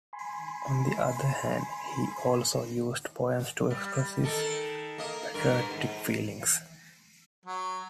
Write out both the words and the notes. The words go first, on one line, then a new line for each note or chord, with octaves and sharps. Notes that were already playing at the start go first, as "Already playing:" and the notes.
On the other hand, he also used poems to express his patriotic feelings.
G#5 B5 C6
G3
D#3 D#4 A4
A#3 D#5
G2 A#4
G#2
F#3